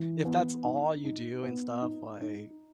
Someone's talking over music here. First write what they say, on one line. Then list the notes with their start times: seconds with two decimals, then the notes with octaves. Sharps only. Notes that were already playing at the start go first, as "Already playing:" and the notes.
if that's all you do and stuff, like,
Already playing: E3
0.25 B3
0.65 D#4
1.04 D#4
1.43 B3
1.82 D#4
2.21 D#4